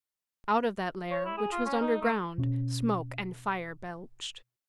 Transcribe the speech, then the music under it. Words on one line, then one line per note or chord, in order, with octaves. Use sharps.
Out of that lair, which was underground, smoke and fire belched.
C#5
E4
G#4
F4
C#4
D#4
A3
B2 C#4